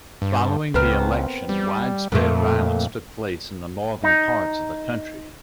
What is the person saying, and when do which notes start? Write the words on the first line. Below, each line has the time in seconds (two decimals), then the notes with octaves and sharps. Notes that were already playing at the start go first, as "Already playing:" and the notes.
Following the election widespread violence took place in the northern parts of the country.
0.22 G2
0.74 C#2 B3 C4 A#4
1.49 G3
2.12 F2 A#2 A3
4.04 D#4